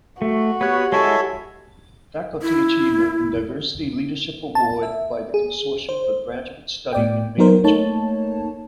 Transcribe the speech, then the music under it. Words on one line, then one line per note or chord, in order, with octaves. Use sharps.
Faculty Achievement and Diversity Leadership Award by the Consortium for Graduate Study in Management.
A3 F#4
B3 G4 C#5 F#6
G#3 E4 A4 C#5 E5 G#5
E4
A5
E5
G#4
C5
A2 D5 G5
F#3 B3 D#4 A#4 C5
A3 A#3 D#4 C#5 A5